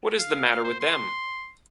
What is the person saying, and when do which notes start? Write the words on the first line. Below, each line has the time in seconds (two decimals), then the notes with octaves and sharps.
What is the matter with them?
0.18 F5
0.64 C5
0.80 C6